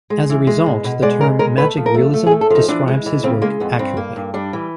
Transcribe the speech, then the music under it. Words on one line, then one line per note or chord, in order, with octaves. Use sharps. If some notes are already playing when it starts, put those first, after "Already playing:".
As a result, the term "Magic Realism" describes his work accurately.
G#3
E3
G#3
B2
B2
G#3 D5
B2 A#4
G#3 A#4
A3 B4
F3
A#4
A3
A3
G#4
A3
A4
F3 D#4
E3 D4
G#3
E3
C#3 C4
G#3 A#3
F2 B3
G2 C4
A#3
G2
G3 D4
E3